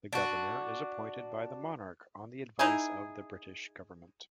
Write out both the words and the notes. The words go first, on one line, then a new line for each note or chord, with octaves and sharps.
The Governor is appointed by the monarch on the advice of the British government.
D4 F#4
D#4 E4 G#4